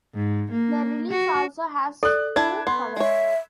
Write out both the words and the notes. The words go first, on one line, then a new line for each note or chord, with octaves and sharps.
The release also has two covers.
G#2
A#3
F#4
A4 D5 F#6
D4 E4 A5 G#6
B3 C6
G#3 C#5 E5